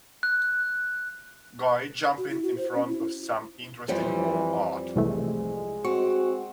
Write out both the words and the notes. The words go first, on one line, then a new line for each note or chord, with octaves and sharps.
Guy jumping in front of some interesting wall art.
F#6
F#4
E4
F#4
C5
C#4
E4
F2 E3 F3 G3
C2 E3 G#3 A3
C4 F#4 C#6